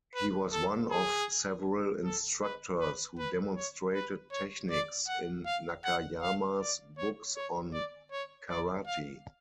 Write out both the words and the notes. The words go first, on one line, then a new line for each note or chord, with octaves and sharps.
He was one of several instructors who demonstrated techniques in Nakayama's books on karate.
B4
A4
G#4
A4
B4
B4
B4
C#5
B4
C#5
D5
F#5
F5
F#5
F5
D5
C#5
C#5
D5
C#5
D5
F5